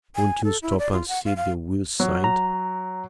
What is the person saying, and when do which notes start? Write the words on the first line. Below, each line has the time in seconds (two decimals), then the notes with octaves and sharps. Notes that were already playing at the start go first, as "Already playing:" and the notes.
"Won't you stop and see the will signed?"
0.16 G#5
0.44 A4
0.62 E4
0.79 D5
0.92 F4
1.08 F#5
1.25 F5
1.37 F5
2.00 F#3
2.24 A#5